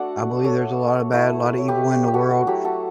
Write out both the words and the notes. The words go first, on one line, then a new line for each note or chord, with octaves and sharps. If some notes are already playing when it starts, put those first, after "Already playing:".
I believe there's a lotta bad, a lotta evil in the world
Already playing: A3 D4 F#4 A4 D5 F#5
A4 C#5
A3 E4
B4
C#5
G4 B4
G4
F#4 A4
F#4
F#3 A3 E4 G4
F#4 A4